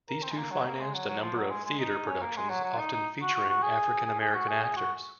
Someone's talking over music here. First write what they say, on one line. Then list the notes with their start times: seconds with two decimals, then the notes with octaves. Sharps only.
These two financed a number of theatre productions, often featuring African American actors.
0.09 A#4
0.23 C4
0.31 G#3
0.37 A#3
0.51 F#3
0.66 A#3
0.80 G#3
0.94 F#3
1.08 F#3
1.22 F3
1.36 F#3
1.50 G#3
1.65 G#3
1.79 D#4
2.07 C#4
2.22 A#3
2.36 G#3
2.50 F#3
2.64 F#3
2.79 D#4
2.93 D#4
3.22 F#4
3.35 F#4
3.49 F#4
3.63 G#4
4.06 G#4
4.20 G#4
4.34 F#4
4.48 G#4
4.63 G#4
4.77 F#4